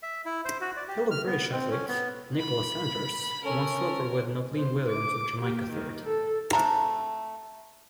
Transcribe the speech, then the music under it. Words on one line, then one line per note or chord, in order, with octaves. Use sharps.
Fellow British athlete, Nicola Sanders won silver with Novlene Williams of Jamaica third.
E5
E4
C5
F#4
D5
G4
F6
B3
C4
C#4
B3
B5
C#4 A4 A#4
C5
D6
A#3 G4
D#3
A4
C3 A3 A4 A#5